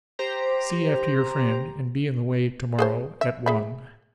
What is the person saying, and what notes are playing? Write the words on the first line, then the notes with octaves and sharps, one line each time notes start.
'See after your friend, and be in the way to-morrow at one.
G4 C5 A#5
G#4 A4 C5
E5
G#4 E5 B5